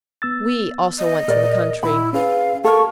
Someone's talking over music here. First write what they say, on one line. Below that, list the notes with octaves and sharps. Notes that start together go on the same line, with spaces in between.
We also went to the country.
B3 E6 A6
D#5
A#2 A#4 D5
A#2 E4 B5
C#4 G#4 B4 F5
A4 A#4 F5 C#6